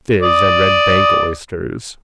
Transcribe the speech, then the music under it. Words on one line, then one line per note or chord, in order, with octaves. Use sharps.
Fizz and Red bank oysters.
D5 D#6